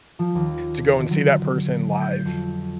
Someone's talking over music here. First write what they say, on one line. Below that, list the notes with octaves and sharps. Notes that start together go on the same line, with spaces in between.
to go and see that person live,
F3
D#2
D3
F#3
C#7
G6
F2